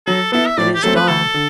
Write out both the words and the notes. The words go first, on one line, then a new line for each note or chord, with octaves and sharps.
It is done.
F#3 A4
B3 E4 A4
E5
A2 D5
G4
F#3 A3 C4 A4
B4
D2 A4
D3